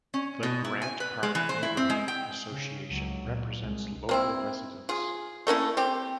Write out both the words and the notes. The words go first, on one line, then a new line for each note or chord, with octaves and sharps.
The Grant Park Neighborhood Association represents local residents.
C#4
B2
E4
G#5
B4
G#3
E3
C5
E4
C4
G#3
G5
C#3
C#2 F#3
A#2
C2 G#3
A#3 C4 E4
F4 G#4
A3 A#3 C#4 E4
C4 G4